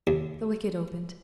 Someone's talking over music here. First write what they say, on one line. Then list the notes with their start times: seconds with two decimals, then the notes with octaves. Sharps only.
The wicket opened.
0.07 D#2